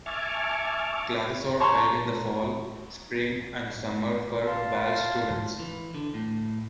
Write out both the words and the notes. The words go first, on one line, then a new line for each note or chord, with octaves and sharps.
Classes are held in the fall, spring and summer for Walsh students.
E5 G#5 A5 C#6 D6 F6
C#5 A5 A#5 C6 C#6
F5 A5 C6
E3
D3
A2